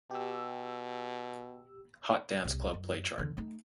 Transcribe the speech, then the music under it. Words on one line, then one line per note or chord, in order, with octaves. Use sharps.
Hot Dance Club Play chart.
B2 G4 E6
E1 C2
F#2
E2 D3
A3 D#4